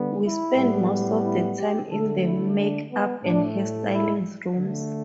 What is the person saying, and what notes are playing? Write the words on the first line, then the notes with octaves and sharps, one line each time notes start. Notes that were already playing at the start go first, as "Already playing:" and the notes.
"We spend most of the time in the make-up and hairstyling rooms".
Already playing: D3 G3 B3
E4
A2 G3 B3
E4
G4
D3 A3 A4
E4
D4
B3
A2 A3 D4
E4
D3 A3